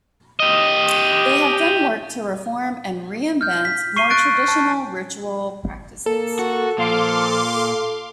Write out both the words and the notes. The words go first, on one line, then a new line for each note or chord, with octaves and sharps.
They have done work to reform and re-invent more traditional ritual practices.
G4 D#5
F6 G6
B6
C#6 C7 D#7 G7
C#6 F#6 A6 D7
A5
A#3 A4
F#4
A#2 F3 F5 C6 D6
A4